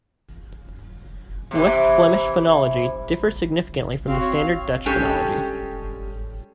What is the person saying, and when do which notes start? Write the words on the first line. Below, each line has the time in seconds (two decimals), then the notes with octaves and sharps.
West Flemish phonology differs significantly from the standard Dutch phonology.
1.51 C3 E3
4.07 C4 F#4 F5
4.20 C#5
4.35 F5
4.86 G3 G#3 C#4 G4 A4